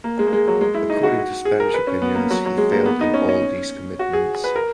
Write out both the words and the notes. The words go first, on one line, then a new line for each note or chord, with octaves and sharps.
According to Spanish opinions he failed in all these commitments.
A#3
G#3
A#3
G#3
F#3
G#3
E4
D#4
F#4
G#4
A#4
B4
C#4
B3
A#3
F#3
F#3
G#3
A#3
B3
D#4
C#4
C#4
F#4
G#4
B4
A#4